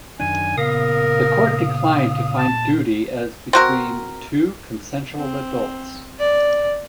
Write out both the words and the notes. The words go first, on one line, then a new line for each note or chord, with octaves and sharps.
The court declined to find duty as between two consensual adults.
F#2 D#3 D4 G#5
A#2 C#3 B3 A#4 F5 D#6
A5
C4 F#4 A#4
C4
D5